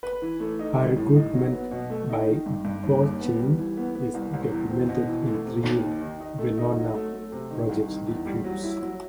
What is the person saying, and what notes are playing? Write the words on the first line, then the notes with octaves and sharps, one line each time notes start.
Her recruitment by Wovschin is documented in three Venona project decrypts.
B4
E3
A3
D#4
G3
A2
D#4
F#3
B3
B2
A3
D#4
D#3
G2
G2
D#2
D#2
B3
G3
E3
B3
B3
C2
C2
E2
C4
B2
E3
A3
C3
D#2
D#3
D#3
D#4
A3
D#4
F#3
A3
A3
C3
D#3
C2
D#3
E2
G3
F#3
E4
F#3